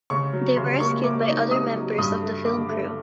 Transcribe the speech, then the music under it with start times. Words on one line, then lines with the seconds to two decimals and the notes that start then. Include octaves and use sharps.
They were rescued by other members of the film crew.
0.10 C#3 C#6
0.33 F#3
0.57 C#3 C6
0.80 A#3 C#6
1.04 A#3 D6
1.28 D#4
1.51 D#4 D#6
1.75 F#3
1.98 G2 D#6
2.22 A3
2.45 D3 D6
2.69 A3